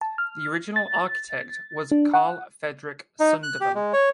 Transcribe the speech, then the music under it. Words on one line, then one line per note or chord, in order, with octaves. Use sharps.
The original architect was Carl Fredrik Sundvall.
A5
F6
A6
D4
F#5
D#4
F#6
G4
G#3
C#5